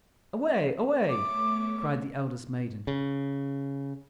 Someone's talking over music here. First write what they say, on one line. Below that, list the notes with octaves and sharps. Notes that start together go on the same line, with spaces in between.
"Away! away!" cried the eldest maiden.
A3 B3 C#5 D6
C#3